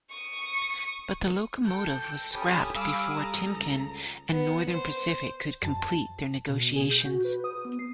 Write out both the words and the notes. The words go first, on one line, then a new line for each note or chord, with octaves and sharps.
But the locomotive was scrapped before Timken and Northern Pacific could complete their negotiations.
C#6 D#6
A4 G5 G6
C#4 G4 A4 G#5 B5 D#6
G3 F5 B5 D6 E6
A4 A#5
C#2
B3
C5
F#2 A5
B2
G#4
G6
F#4
B4
D#6
B3
C7